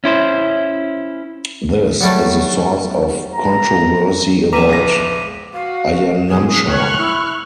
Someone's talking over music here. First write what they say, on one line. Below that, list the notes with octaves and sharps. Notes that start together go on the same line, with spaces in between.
This is the source of controversy about ayanamsha.
C#4 E4 C5
F#3 G3 A3
A#5
C#2 F3 B4 A#5 D6 B6 D#7
A#1 A#6
F#4 F5
F#2 B2 F3 G#4
C#5 C#6 F6 F#6
E4